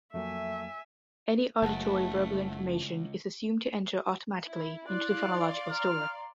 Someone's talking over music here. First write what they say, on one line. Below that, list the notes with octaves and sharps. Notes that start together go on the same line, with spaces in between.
Any auditory verbal information is assumed to enter automatically into the phonological store.
F2 F#3 A3 A#3 E5 G#5
F#1 C#2 A3 F#5 A5
E4
E4 D5 F5 C6 F#6
A#5 F6